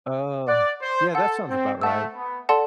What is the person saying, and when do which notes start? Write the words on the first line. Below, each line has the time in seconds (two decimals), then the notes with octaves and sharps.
Oh, yeah, that sounds about right.
0.47 D5 F#5 C6 F#6
0.81 C5
1.14 A4 F#5 A5 E6
1.49 C4
1.81 A3 F#5 A5 E6
2.15 B3
2.49 A4 D5 F#5 A5 C6